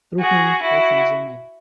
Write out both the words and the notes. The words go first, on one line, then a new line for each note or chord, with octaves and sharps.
Through him all things were made.
F#4 G#4
E4 F#4